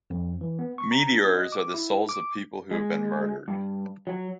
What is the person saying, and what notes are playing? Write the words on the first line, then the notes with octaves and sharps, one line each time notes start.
Meteors are the souls of people who have been murdered.
F2
E3
B3
C#6
A#5
D4
D#5
D6
E4
D6
G#3
G2
F#3